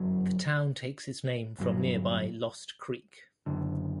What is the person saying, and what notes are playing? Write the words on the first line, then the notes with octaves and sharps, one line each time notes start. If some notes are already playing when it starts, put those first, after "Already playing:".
The town takes its name from nearby Lost Creek.
Already playing: G1 F#2 F#3
G1 G2 F#3
F#1 F#2 D3